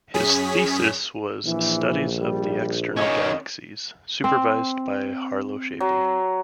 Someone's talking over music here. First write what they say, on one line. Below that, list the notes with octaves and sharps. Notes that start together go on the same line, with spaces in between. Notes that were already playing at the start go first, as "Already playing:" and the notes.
His thesis was "Studies of the External Galaxies", supervised by Harlow Shapley.
F#2 C#4 G#4 B6
A#1 E3
G3
D#3 C#4 D#5
C4
F#3